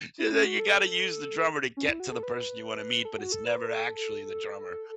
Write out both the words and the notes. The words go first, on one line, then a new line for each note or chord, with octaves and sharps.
So now you gotta use the drummer to get to the person you wanna meet, but it's never actually the drummer.
E4
C#4
F#4
A4
C#4
E4
F#4
A4
B4
A4
F#4
A4
B4
A4
A4